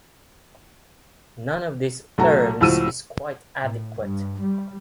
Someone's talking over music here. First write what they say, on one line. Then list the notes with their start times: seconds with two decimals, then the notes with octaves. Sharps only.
None of these terms is quite adequate.
2.18 B1 A3 F#4 A#5
2.61 C#2 A2 F3 F#4 E6 D#7
3.61 A2
3.99 G2
4.41 G3